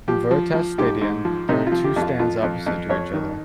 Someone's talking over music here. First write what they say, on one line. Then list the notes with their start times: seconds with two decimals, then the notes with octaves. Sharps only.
In Veritas Stadion there are two stands opposite to each other.
0.08 F3 G4
0.31 F3
0.54 F3
0.78 G#2 G4
1.01 G#2
1.25 F3
1.49 C3 D#4
1.67 F4
1.72 F3
1.84 G4
1.96 F2
2.02 F4
2.19 F2 F4
2.43 F2
2.66 F2
2.89 F2 C#5
3.14 D#3